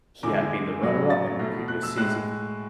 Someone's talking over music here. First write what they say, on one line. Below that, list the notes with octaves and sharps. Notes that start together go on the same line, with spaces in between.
He had been the runner-up in the previous season.
E2 D3 G#3 D6
A2 F#3 A3
A6
B2 A3
F#6
E6
A2 G#3 F#6